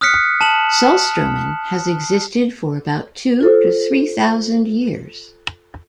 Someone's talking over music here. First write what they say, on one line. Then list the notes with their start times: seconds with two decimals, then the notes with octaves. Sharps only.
Saltstraumen has existed for about two to three thousand years.
0.01 D#6 F6 F#6 B6 C#7
0.41 A5 E7 F#7
3.41 F4 A4 C5